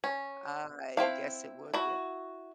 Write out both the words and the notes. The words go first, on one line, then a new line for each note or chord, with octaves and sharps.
I guess it would, yeah.
C#4
C4 E4 F5
E4 F#4